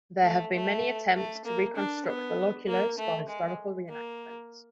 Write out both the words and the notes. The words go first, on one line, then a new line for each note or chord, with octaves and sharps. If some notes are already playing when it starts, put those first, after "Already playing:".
There have been many attempts to reconstruct the loculus for historical reenactment.
A3
A3
A3
A#3
D4
B3
A#3
A3
G#3
A#3